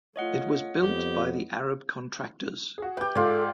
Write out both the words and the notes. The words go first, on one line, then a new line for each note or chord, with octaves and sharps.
It was built by the Arab Contractors.
A3 F4 C#5 D#5 F#5
F2 B3 G4
F#4 G#4
G4 B4 G5 G6
G#2 G#3 F4 A4 D5